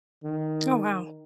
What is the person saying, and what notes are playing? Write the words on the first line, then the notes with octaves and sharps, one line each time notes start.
Oh, wow.
D#3